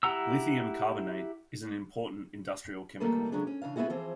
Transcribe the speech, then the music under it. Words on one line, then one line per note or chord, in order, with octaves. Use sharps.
Lithium carbonate is an important industrial chemical.
E4 G4 F#5 A#5 E6
D#3 G3 A3 A#3 A4 B4
C#3 F#3 G#3 C#4 D4 G#4
C#4
C#3 E3 D4 F5
G#3 B3 D#4 E4 F#4 G#4
E3 F3 C4 F4 G#4 C5